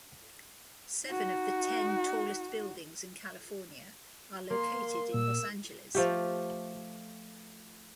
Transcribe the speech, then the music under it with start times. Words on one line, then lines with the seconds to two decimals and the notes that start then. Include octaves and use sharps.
Seven of the ten tallest buildings in California are located in Los Angeles.
1.06 D#4 F#4
4.50 A#3 C6
5.14 A#2 E6
5.95 F3 A3 G4